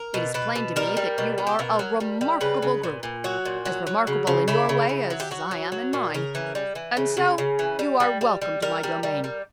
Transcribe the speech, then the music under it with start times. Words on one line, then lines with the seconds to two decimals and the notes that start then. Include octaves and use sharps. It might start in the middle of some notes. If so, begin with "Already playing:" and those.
It is plain to me that you are a remarkable group--as remarkable in your way as I am in mine--and so you are welcome to my domain.
Already playing: A#4
0.14 B2
0.34 B2 B4
0.56 B2
0.76 G3 A#4
0.97 G3
1.18 B2
1.38 B2
1.47 G4
1.59 B2 A#4
1.79 F#3
2.00 G3
2.21 G3
2.41 C#3 B4
2.62 C#3
2.83 A#2
3.03 A#2
3.24 F#3 F#4
3.45 A#2
3.65 F#3
3.87 F#3
4.07 C#3
4.27 C#3
4.48 C#3 E4
4.69 C#3
4.89 C#3
5.10 F#3
5.20 G4
5.31 F#3 F#4
5.51 F#3
5.72 F#3
5.93 A#2
6.14 C#3 A#4
6.35 E3
6.55 G3
6.75 E3
6.97 C#3
7.17 C#3
7.38 C#3
7.59 E3
7.79 G3
8.00 G3
8.21 G3
8.42 G3
8.62 G3 A#4
8.83 G3
9.03 G3
9.24 G3